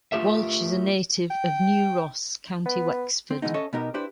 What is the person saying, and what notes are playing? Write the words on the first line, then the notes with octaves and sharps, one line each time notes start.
Walsh is a native of New Ross, County Wexford.
A3 F4 G4 A#4 E5
G5
B3
C4
D#3 E3 G3 G#3 B3 D#4
C#4 A4 C#5 D#5 E5
B2 B3 D#4 G4 A#4
D4 E4 G4 B4 C5